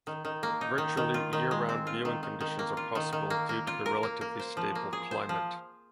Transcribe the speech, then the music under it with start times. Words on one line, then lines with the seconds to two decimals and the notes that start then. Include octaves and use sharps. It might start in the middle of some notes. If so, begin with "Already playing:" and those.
Virtually year-round viewing conditions are possible due to the relatively stable climate.
0.07 D#3
0.25 D#3
0.43 A#3
0.61 D#4
0.78 D#3
0.97 D#3
1.14 F4
1.33 D#3
1.51 G#3
1.69 C4
1.87 F4
2.05 D#3
2.23 D#3
2.40 D#3
2.59 A#3
2.77 F4
2.95 D#3
3.13 D#3
3.30 A#3
3.49 A#3
3.67 F4
3.86 A#4
4.03 A#3
4.21 A#3
4.40 C5
4.57 F3
4.75 A#3
4.93 G#4
5.11 C5
5.29 F3